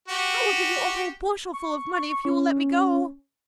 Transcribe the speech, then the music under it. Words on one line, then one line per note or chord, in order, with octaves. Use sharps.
'I will give you a whole bushelful of money if you will let me go!'
F#4 G4
C#6
C#4